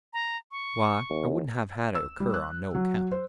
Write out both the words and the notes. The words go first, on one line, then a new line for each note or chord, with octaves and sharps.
Why, I wouldn't have had it occur on no account.'
A#5
C#6
D#2
E6
G3
F#6
F#3
C5